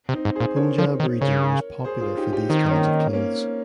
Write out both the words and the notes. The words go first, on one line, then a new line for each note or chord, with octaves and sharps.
Punjab region was popular for these kind of clothes.
C3
C4 D#4
G#2
G#4 C5
A#2
A#4 C#5
F3
D#3
C#3 A#4 C#5
G#4 C5
F4 G#4
D#4 G4
D#4 G4
D#3 C4 D#4
A#3 C#4
A#3 C#4